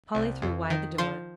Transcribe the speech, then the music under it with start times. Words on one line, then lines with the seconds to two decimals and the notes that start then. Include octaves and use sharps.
Polly threw wide the door.
0.15 C2
0.42 F2
0.70 D#3
0.98 F3 C6